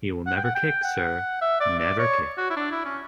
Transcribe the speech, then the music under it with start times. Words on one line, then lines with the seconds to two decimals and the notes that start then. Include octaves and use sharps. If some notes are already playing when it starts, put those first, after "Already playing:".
He will never kick, sir, never kick.
0.27 F#5
0.36 G5
0.45 F#5
0.55 G5
0.84 F#5
1.41 E5
1.60 D5
1.79 D5
1.99 C#5
2.37 F#4
2.50 E4
2.57 D4
2.71 E4
2.85 C#4